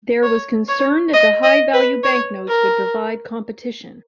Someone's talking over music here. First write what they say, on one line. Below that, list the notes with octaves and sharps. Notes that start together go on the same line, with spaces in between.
There was concern that the high value banknotes would provide competition.
C#5
C#5
D#5
D#5
B4
C#5
A#4